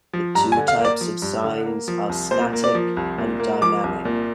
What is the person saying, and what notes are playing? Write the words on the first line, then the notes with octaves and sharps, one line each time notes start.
The two types of signs are static and dynamic.
F3
G2 A#5
G#5
D3
F5
A#3
D5
F3
G2
D3
A#3
F3
C2
A#2 C5
A#3
D5
F3
C2
A#2
A#3
F3 D6
C2
A#2